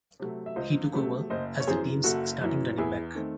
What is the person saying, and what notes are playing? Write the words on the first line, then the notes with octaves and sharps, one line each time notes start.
He took over as the teams starting running back.
C3 F#3 A3
E5
C#2 C5 D#5
C3 F#3 A3
F#1 C5 D#5
C#5
F#2 E3 G#4 C5
F#1 F#4 A4
F#2 E3
E2 E4 G#4
D#3 A3 C4